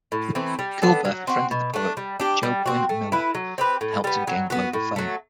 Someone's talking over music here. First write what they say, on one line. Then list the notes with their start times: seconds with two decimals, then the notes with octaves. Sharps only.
Coolbrith befriended the poet Joaquin Miller and helped him gain global fame.
0.12 A2
0.35 E3 A3 C4
0.59 G3
0.82 B3 D4 A4
1.05 F#3
1.27 C4 F#4
1.51 B2
1.74 A3 D4
1.97 G3
2.20 D4 G4
2.43 G3
2.66 C4 F#4
2.89 A3
3.12 E4 B4
3.35 F#3
3.58 C4 G4 B4
3.81 A2
4.04 G3 B3
4.27 F#3
4.50 B3 F#4
4.73 A2
4.96 F#3 A3